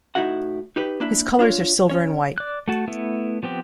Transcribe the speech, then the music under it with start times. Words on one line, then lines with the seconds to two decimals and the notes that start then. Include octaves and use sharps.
His colors are silver and white.
0.15 A2 D#4 E4 F#4 F#5
0.76 D#4 G4 B4
1.00 A#3 D4 E4
1.39 D4 F4 C#5
1.89 C#4 C#5
2.38 D5 F#6
2.68 A3 F#4 A5
2.88 A3 B3 E4
3.43 F3 B3 C4 G4